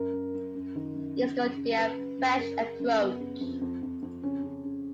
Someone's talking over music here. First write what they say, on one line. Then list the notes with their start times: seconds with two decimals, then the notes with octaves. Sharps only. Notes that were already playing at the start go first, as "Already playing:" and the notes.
It's going to be a fresh approach.
Already playing: F#2 A#4
0.13 F#2
0.34 F#2
0.55 F#2
0.75 D#3
0.95 F#2
1.16 C#3
1.37 C#3
1.56 C#3
1.78 F#2 B4
1.98 F#2
2.19 F#2
2.38 C#3 A#4
2.58 C#3
2.80 F#2
3.00 C#3 B3
3.20 C#3
3.41 F2
3.61 F2
3.82 F2
4.02 F2
4.22 C#3 C#4
4.43 C#3
4.64 C#3